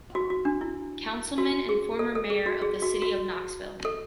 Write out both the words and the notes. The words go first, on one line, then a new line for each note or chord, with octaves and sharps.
Councilman and former mayor of the city of Knoxville.
F#4
F#4
D4
E4
F#4
G#4
A4
A4
G#4
F#4
G#4
F#4
F#4
A4